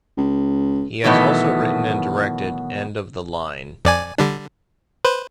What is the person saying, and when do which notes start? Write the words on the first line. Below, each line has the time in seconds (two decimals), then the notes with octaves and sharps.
He has also written and directed "End of the Line".
0.17 C#2
1.04 B2 D#3 E3 F#3 A3 B3
3.85 F2 D5 G#5
4.18 D3 G3 D4
5.05 B4 C5